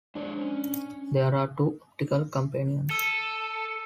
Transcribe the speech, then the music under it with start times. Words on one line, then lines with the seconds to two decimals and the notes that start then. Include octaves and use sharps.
There are two optical companions.
0.15 G#3 D4 C5 C#5
0.41 C#4
2.90 A4 E6 D#7 G7